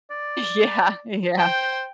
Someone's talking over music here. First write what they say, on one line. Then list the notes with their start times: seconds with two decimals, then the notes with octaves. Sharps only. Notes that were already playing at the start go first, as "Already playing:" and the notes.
Yeah, yeah.
0.10 D5
1.38 C5 G5